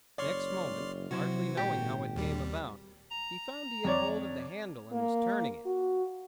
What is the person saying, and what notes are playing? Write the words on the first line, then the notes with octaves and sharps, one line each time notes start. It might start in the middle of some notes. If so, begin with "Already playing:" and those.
Next moment, hardly knowing how it came about, he found he had hold of the handle and was turning it.
F#1 C#5 D5 C6 F6
C3 F#3 E4 F#4 C5
G#1 A#2 G4
D#2 G3
A#5
F2 C#5 D5
A#3
F#4